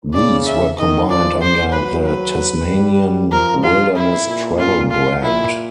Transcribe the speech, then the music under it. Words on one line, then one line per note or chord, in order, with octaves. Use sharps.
These were combined under the Tasmanian Wilderness Travel brand.
C#3 D5
E5
D#3 D#5
F3 D5
C5
F#3 B4
B4
G3
F3 A#4
F4
E4
A#2
F4
F4
A#2 E4